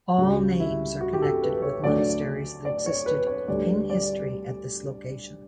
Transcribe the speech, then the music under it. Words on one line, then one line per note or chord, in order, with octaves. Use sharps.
All names are connected with monasteries that existed in history at this location.
C#2 C#3 G3 F#4
E4
F#4
G4
A4
B4
C#5
D2 D3 F#3 A3 D5
D5
C#5
B4
C#5
D2 D3 G3 D5
D5